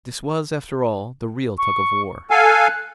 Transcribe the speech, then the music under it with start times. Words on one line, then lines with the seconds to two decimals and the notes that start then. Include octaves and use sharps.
This was, after all, the real tug of war.
1.58 C#6
2.30 A4 F5 F#5 G#5
2.45 F#6